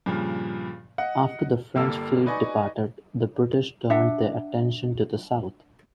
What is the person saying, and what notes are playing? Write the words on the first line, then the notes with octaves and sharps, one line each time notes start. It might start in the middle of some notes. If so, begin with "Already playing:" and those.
After the French fleet departed, the British turned their attention to the south.
G2 A#2 C#3 F3
D#5 F#5
G1 G3 A#3 A4 F5 E6
D#4 B4 D5 D#5 G#5 C#6
D4 E5 F#5